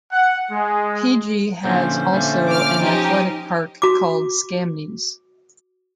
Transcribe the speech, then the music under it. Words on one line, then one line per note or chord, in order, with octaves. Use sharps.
Pigi has also an athletic park called "Skamnies".
F#5
G#3
A#2 D3 F3 C#4 C5
A#2 D3 A3
D6 F6
F3 D#4 G4
F#4 D6